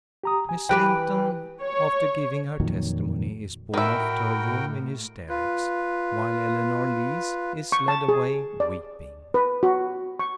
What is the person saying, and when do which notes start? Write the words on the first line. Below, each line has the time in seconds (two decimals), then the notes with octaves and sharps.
Miss Linton, after giving her testimony, is borne off to her room in hysterics; while Eleanor Lees is led away weeping.
0.24 G4 A#5 D#6
0.49 G#5
0.69 E3 G4 B4 G5 F#6
1.61 C#5
2.60 F2 A#2 D#3 F#3
3.74 A2 D#3 F#4 A#4 E5 G5 B5
5.29 F4 B4
7.72 C#6
7.88 A5
8.09 G#4
8.60 D5
9.34 B4
9.63 F#4
10.19 C#6